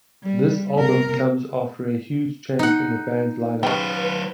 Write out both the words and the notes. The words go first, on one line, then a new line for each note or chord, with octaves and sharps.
This album comes after a huge change in the band's lineup.
G3
C3 A#4
D#4 F#5
C#3 F#3 G4 B4 C5